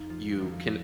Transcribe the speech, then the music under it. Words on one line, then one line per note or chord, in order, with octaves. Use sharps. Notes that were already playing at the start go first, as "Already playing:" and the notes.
you can
Already playing: F2 D#4
F3 F4
F2 D#3 F3 F4
F3 F4